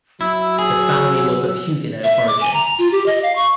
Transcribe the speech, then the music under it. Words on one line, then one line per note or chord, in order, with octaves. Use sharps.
The family was of Huguenot origin.
F#3 E4 E6
G#4
E5
D6
G#5
A#5
F4
G4
D#5
F5
C#6